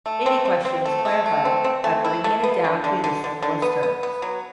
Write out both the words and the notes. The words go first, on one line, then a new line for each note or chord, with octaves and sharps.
Any question is clarified by bringing it down to the simplest terms.
A3
C4
C4
C4
A3
A3
A3
C4
C4
A3
E4
A3
B3
D3
D3
D3
D3
D3
B3
B3
B3
F#3